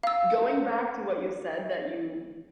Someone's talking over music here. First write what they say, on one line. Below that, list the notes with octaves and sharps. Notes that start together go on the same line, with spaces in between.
going back to what you said that you,
F5 E6